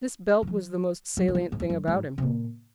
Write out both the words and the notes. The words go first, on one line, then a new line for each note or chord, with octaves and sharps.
This belt was the most salient thing about him.
D#3
F3
F#3
D#3
F3
G#2
F2
F#2
G#2
C3
A#2